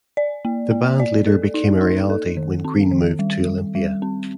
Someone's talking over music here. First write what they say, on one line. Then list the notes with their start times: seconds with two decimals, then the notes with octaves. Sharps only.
The band later became a reality when Green moved to Olympia.
0.17 D5
0.45 A#3
0.71 A#3
1.00 D5
1.27 A4
1.54 D#4
1.81 D#4
2.10 A4
2.37 D#3
2.65 C4
2.91 D#3
3.19 G3
3.47 G3
3.75 G3
4.02 C4